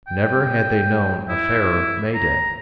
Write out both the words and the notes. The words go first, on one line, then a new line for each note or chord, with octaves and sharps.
Never had they known a fairer May-day.
G5
E4
A#5